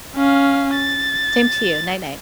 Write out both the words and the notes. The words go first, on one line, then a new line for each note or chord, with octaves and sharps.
Same to you, night night.
C#4 F5
A6